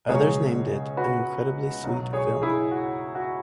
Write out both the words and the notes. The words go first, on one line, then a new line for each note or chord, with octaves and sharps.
Others named it an "incredibly sweet film".
C#2 B2 F#3 G#4 C#5
F#4 B4
B1 B2 F#3
G#4 C#5
E4 G#4
F#4
F#4